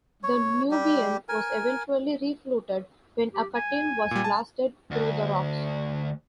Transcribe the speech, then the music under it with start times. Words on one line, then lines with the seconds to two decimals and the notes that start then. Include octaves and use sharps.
The "Nubian" was eventually refloated when a cutting was blasted through the rocks.
0.23 C#5
0.71 G3 G4
1.29 A#4 G#5
3.34 G4
3.55 G#5
4.11 A#2 G3
4.24 A5
4.91 D2